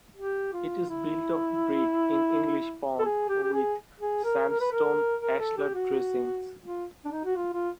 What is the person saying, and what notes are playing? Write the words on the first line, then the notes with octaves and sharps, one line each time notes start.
It is built of brick in English bond with sandstone ashlar dressings.
G4
F4
E4
A4
G#4
G4
G4
G#4
G#4
A#4
A#4
B4
A#4
A#4
A4
G4
F#4
F4
D4
D#4
F#4
F4
F4